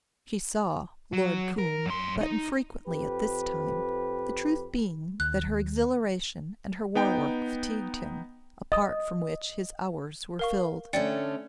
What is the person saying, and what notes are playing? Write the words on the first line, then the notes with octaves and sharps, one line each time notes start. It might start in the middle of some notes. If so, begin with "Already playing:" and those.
She saw Lord Coombe but infrequently at this time, the truth being that her exhilaration and her War Work fatigued him, apart from which his hours were filled.
F#3
A#4
F#2 C6
D#4
F2 G4 B4
D#2 F#6
B3 D#4 G5
D#5 D#6
A#4 F5 C#6
D3 A3 C#4 D5 G5 C#7